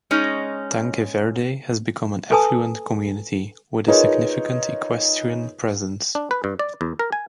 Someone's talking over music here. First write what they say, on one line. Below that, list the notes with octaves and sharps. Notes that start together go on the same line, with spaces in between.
Tanque Verde has become an affluent community, with a significant equestrian presence.
G#3 C#4 D#4
A4 B4 G#5 A5 D#6
D#4 F4 G#4 A#4 B4 C#5
D4
B4
G2
D5
E2
A#4
G#5